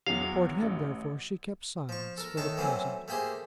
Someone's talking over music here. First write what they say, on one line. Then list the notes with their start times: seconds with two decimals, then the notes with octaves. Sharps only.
Toward him, therefore, she kept silence for the present.
0.06 E2 F#3 F5
0.62 A1
1.89 F3 C#6
2.18 A4 A#4
2.37 A2 D#3 A4 A5 C#6
2.57 E3 F#3 A3 C4 C#4
3.08 A3 A#3 G4 G#4 C5